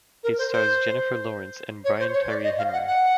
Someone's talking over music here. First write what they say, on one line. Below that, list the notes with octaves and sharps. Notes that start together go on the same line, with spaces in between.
It stars Jennifer Lawrence and Brian Tyree Henry.
A#4
C5
C5
C#5
C5
C#5
D5
D#5
F5
F#5
F#5